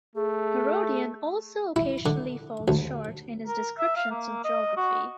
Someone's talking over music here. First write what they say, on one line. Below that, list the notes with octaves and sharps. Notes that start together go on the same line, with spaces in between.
Herodian also occasionally falls short in his descriptions of geography.
A3 G#4
E4
D3
D2
A#4
E5
F5
A#3
D#5
F#4